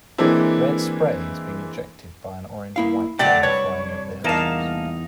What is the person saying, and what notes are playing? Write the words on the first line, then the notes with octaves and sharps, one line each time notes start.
Red spray is being ejected by an orange and white plane flying over the hilltops.
E3 G#3 A#3 C4 D4 E4
A#3 E4 F5
D3 F#3 A3 D4 D5 G5
C2 D4 B4 C#5
E2 A#3 D#4 F5 A5